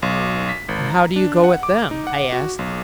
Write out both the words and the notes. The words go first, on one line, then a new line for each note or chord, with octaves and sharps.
"And how do you go at them?" I asked.
B1
B6
G#1
A#5
D4
F#5
D6
D#4
F#5
F#4
B1